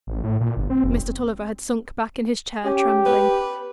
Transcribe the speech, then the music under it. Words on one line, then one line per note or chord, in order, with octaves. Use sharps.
Mr. Tulliver had sunk back in his chair trembling.
A1
A2
A#2
G1
C4
F1
C#4 G4
B4